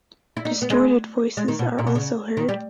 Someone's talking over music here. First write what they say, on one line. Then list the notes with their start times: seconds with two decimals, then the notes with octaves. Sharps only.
Distorted voices are also heard.
0.37 E4
0.45 D#4
0.62 B3
0.70 G#3
1.37 G#3
1.48 D#3
1.59 B2
1.79 A#2
1.87 B2
1.95 C#3
2.37 D#3
2.49 G3